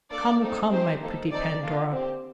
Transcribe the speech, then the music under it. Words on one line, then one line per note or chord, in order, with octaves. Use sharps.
Come, come, my pretty Pandora!
A#3 D4 A4 D5
C4 D#4 A4
C4 D#4 G4 C5
A#3 D#4 A4
C4 D#4 A4 D5
A#3 D4 F4 A4
C4 G4